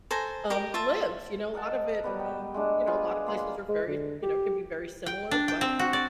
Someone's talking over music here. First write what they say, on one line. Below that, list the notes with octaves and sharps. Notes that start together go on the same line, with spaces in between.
um, lives, you know, lot of it, um, you know, a lotta places are very you know, can be very similar, but,
A4 C5 G#5 A#5
G4 A#4 D#5 D6
F4 E5 A5
A#4 D#5 F#5 A5
F#3 G3 B3
G5
G#3 A3 D4
F4 G#4 B4
A#3 C6
G#3
D3
G4
G5
D4
G5
C4
F#4
D5